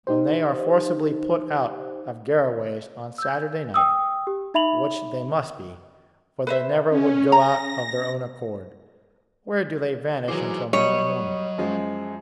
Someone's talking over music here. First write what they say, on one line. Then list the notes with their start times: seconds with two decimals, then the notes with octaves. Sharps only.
When they are forcibly put out of Garraway's on Saturday night--which they must be, for they never would go out of their own accord--where do they vanish until Monday morning?
0.07 D#4 G4 C5
3.18 E6 G6
3.74 G5 D#6 E6
4.27 G4
4.54 D#4 E5 B5 F7 F#7
6.47 B4 C5 E5
6.90 C#4
7.32 A#5 A#6
10.28 E3 F#3 G#4 C5 D6
10.73 F#3 G3 C#5 D#5
11.58 F#2 F3 G#3